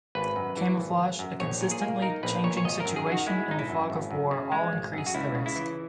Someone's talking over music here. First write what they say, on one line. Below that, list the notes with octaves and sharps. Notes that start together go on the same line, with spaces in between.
Camouflage, a constantly changing situation and the fog of war all increase the risk.
G#1 B4
F#2
E3
G#1
G#1
F#2
A#1 C#5
A#2
G#4
A#3
D#4 A#4
A#1 B4
A#2 C#5
C#5
G#1 D#5
F#2 A#4
G#4
D#3
F#4
G#3 E4
G#1 D#4
E4
F#2
G#1
F#2
C#3
G#3
G#1
F#2 G#4
F#4
C#2 E4
C#3
E4
E3